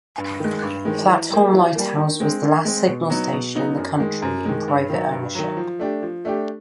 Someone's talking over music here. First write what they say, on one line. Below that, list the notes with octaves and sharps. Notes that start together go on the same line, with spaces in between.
Flat Holm Lighthouse was the last signal station in the country in private ownership.
G2
D#3 G#3
G2
D#3 G#3
E3
G3 A#3
E3
G3 A#3
D#3
G#3 C4
D#3
G#3 C4
B2
F#3 B3 D#4
B2
F#3 B3 D#4
F#2
D#3 G#3
F#2
D#3 G#3
G2
D#3 F#3
G2
D#3 F#3
F3
A3 D4 G4
F3
A3 D4 G4